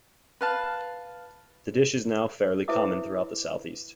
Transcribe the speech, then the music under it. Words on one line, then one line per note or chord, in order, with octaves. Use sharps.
The dish is now fairly common throughout the Southeast.
B4 F5 A5
E4 B4 C5 E5 D6 D#6